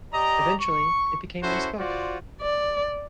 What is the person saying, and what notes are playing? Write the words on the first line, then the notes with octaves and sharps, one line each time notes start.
Eventually it became this book.
G4 D5 D#5 A#5
C#6
C#4 E4 F#4 A4 C5
F4 F#4 C5 D5
D5